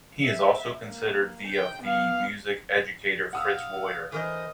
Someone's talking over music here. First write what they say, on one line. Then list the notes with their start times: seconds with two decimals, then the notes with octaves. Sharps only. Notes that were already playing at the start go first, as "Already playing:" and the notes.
He is also considered the of the music educator Fritz Reuter.
0.24 E5
0.83 A#3
1.48 G5
1.82 B3 F5
3.33 F5 F#5 D#6 E6
4.12 E3 A#4 C5 D#5